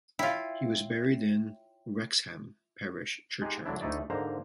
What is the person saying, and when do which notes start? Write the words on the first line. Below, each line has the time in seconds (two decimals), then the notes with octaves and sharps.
He is buried in Wrexham Parish Churchyard.
0.19 E4 F4 C#5 E5 G5
3.42 G#3 D#4 G4 G#4
3.66 D3 F#3 D4 E4
3.81 D2 A3 D#4 E4 D5
4.10 G#2 D3 A#3 C5 A#5